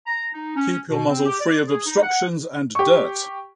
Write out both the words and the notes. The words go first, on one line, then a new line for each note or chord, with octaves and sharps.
Keep your muzzle free of obstructions and dirt.
A#5
D#4
C#4
B2
C4
G4
D5
G#4
D#4
F#5
G4 C#6